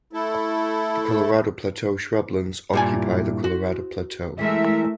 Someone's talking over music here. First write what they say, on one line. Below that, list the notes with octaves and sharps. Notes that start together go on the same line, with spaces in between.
The Colorado Plateau shrublands occupy the Colorado Plateau.
A3 E4 A4
G2 A#2 E4 F4 G4 G#5
F#4 C5
E3 G#3 A3 A#4 E5